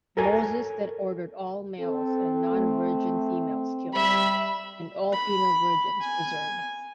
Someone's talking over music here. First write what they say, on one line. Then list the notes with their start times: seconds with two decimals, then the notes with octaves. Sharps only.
Moses then ordered all males and non-virgin females killed, and all female virgins preserved.
0.17 A4 A#4 C#5 G#5
1.80 C4 A4
2.51 A3
3.93 G3 E5 B5
5.12 B5
6.01 G#5